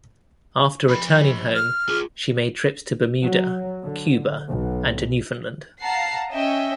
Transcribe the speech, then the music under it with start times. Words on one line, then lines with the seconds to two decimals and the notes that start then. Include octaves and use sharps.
After returning home, she made trips to Bermuda, Cuba, and to Newfoundland.
0.89 F3 B5
1.55 F6
1.88 F4 G#4
3.22 F#3
3.83 D3
4.48 B1
5.82 F5 F#5 A5 A#5 C7
6.31 C#4 D#5 E5 G5